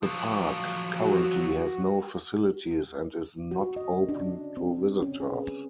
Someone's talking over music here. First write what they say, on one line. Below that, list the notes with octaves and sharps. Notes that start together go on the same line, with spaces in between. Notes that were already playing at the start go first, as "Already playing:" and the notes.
The Park currently has no facilities and is not open to visitors.
F3 F#3
F#4
F#4
D#5
C#4
D4
C4
C#4
G#4
B4